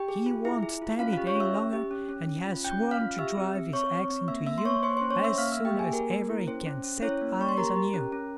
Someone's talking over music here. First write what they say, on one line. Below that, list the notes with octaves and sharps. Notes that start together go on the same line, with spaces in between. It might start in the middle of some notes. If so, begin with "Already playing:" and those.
He won't stand it any longer, and has sworn to drive his axe into you as soon as ever he can set eyes on you.'
Already playing: G4 G5
G#4
F4
E4 G#4 E5
G#4
F4
C#4 F4 F5
F4 G4 F5
C#5 C#6
C#4 E5 E6
C#4
G4
C#4
C#4
C#4
F4
C#4 G5 G6
C#4
F5 F6
F4
G4 E5 E6
C4
C4
C4 C#5 C#6
C4
C4
A#3 E5 E6
A#3 E5 E6
C6
A#3 C#5 C#6
A#3 C5 C6
C#4 C5 C6
C#5 C#6
C#4
E5 E6
A#3 F5 F6
A#3 E5 E6
G4 G5
A#3 G#4 G#5
G#4 A#4
A#3
E4
C#4 C5
C#4
C#4
C#4 E4 C#5
A#3
A#3 C#6
C6
G4 A#4 A#5
G4
C#4
C#4